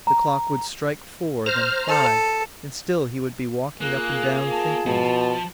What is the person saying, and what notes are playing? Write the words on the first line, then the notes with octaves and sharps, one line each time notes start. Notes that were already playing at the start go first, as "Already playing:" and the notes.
The clock would strike four, then five, and still he would be walking up and down thinking.
A#5
C5 A#5 F6
A4
A#3 F4 G#4 F#6
A5
B2 F3 A5